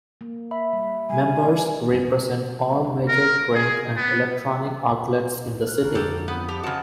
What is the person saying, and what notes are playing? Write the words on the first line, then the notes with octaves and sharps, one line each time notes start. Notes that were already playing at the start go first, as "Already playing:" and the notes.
Members represent all major print and electronic outlets in the city.
A#3
E5 B5
G3
G3 G#5
D5
A#4
G#4
B3
A#4 F6 F#6
A1 D2 D3 E4 F#4 A#5
F2 G4 A4
B3 B5 D#6 G6
G4 F#5 A5 B5
C#3 F#4 C5 D#5 F#5 A5 A#5